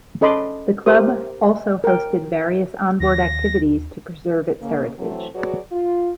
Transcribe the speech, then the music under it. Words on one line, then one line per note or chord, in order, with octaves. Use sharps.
The Club also hosted various onboard activities to preserve its heritage.
C#4 A4 D#5 B5 C6 D6
G4 A#4 C5 D#6
A#4 G5
D#2 A#6
C#3 A#3
E3 F#3 A3 C4
F#3 F#4 G#4 B4 C#5 D5
F4